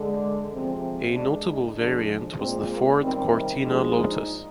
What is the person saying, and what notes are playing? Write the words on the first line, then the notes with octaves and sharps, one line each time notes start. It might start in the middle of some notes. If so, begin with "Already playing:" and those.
A notable variant was the Ford Cortina Lotus.
Already playing: D3 G#3
C3 F3 G#3 C4
D3 G#3 D4
D#4
D3 F3 G#3 D4
A#2 G#3 C4
A#3
C3 D#3 G3 C4
A#2 F3 G#3 D4
D#4